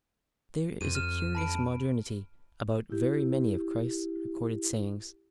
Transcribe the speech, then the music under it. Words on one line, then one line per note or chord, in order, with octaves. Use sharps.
There is a curious modernity about very many of Christ's recorded sayings.
F2 D#7
F6 E7
A5 B5 D7
E4 G4